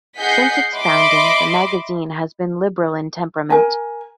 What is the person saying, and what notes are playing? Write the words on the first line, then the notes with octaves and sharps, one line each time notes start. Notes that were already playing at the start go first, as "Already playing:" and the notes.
Since its founding the magazine has been liberal in temperament.
G#4 D#5 F#5 G6 B6 C7
D#5 E5 B5 C6 D6
A#4 G#5